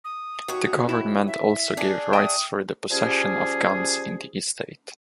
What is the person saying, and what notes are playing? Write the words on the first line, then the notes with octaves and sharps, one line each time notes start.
The Government also gave rights for the possession of guns in the estate.
D#6
D#2 F#4 C#5
E4
E5
D4 G#4
E5 G5 D#6
F3 G3 C#4 G4 G#4